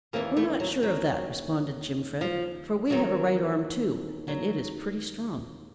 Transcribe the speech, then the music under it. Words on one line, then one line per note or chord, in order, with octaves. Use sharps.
"We are not sure of that," responded Jimfred, "for we have a right arm, too, and it is pretty strong."
D#2 C#3 E3 A#3 C4
A3 B3
F#3
F#3
F3
D#2 D#3 F#3
F#3